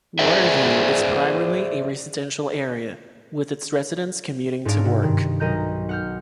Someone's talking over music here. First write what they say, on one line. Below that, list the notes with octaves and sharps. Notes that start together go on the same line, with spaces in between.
Waterview is primarily a residential area, with its residents commuting to work.
G#4 C5 D5 E5
G#2 D4 D#4 C#5 F5 D7
C3 F#4
G2 D#3
B1 A#4 D#5 A#5 G6
F#5 F6 G6